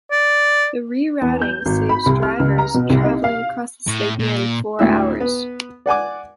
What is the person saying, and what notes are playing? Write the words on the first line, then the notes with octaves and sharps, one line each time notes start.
The rerouting saves drivers traveling across the state nearly four hours.
D5
E2
G6
G#1
B5
C2
F6
C#2
A#5
B2
C2
D#4
F5
A2
A#2
D2 A2 E4 E6
B3
D5 F#5 G#5 D6